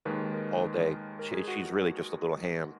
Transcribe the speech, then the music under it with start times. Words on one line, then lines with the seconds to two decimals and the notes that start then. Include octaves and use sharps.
all day, sh she's really just a little ham.
0.05 D#2 D#3 G#3 B4
0.34 A#4
1.19 A#4
1.33 G#4
1.48 F#4